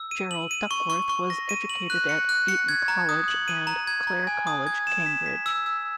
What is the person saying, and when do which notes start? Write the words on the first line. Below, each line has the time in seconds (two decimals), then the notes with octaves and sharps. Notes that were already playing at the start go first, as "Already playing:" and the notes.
Gerald Duckworth was educated at Eton College and Clare College, Cambridge.
Already playing: E6
0.11 D#7
0.31 F#7
0.51 D#7
0.71 C#6
0.90 C#6
1.09 C#6
1.30 A#6
1.49 D#7
1.70 F#7
1.90 F#6
2.09 C#7
2.29 F#6
2.48 C#7
2.68 G#6
2.88 A#5
3.09 D#6
3.28 F#7
3.48 D#7
3.67 A#5
3.87 G#6
4.07 A#5
4.27 G#5
4.47 D#6
4.67 G#6
4.87 E7
5.06 B6
5.26 B6
5.46 E6
5.66 E6